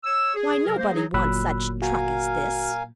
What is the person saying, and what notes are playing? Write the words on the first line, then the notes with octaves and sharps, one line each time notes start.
Why, nobody wants such truck as this.
C#5 E6
G#4
C3 F#3 A#4
A#3 C5
F#3 D#4 G#4
G1 A#2 F#3 B5 E6 F#6
F#4 A#4 F5 G#5